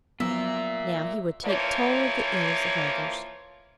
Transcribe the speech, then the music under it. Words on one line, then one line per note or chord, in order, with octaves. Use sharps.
Now he would take toll of the ills of others.
F3 F#3 B3 F4 A#4 E5
E3 F3 A#3 C#5